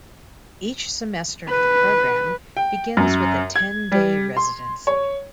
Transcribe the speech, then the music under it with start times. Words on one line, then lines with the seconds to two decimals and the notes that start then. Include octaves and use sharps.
Each semester of the program begins with a ten-day residency.
1.49 B4
2.57 G5
2.97 F#2
3.56 G#6
3.92 G3
4.37 C6
4.87 C#5